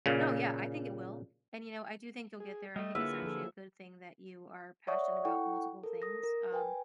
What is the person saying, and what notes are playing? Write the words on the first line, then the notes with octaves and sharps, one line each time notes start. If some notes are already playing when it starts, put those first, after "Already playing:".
No, yeah, I think it will, and, you know, I do think you'll get there. I think it's actually a good thing that you are passionate about multiple things, um,
A#2 C#3
G#4
G3 A3 D#5
D3 A#3 E4 F4 G#4 B4 E5 F#5
F3 A4
C#5 D5 E5 F#5 C#6 D#6
E4 A4 F#5 G5 C#6
A4 A#4
D#6 A#6
A#4
B4 G5 G#5